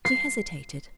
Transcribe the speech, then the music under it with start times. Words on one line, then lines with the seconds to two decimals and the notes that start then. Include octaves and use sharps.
She hesitated.
0.05 C7